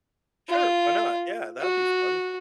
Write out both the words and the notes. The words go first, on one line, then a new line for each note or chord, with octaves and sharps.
Sure, why not, yeah that would be fun.
F4
F#4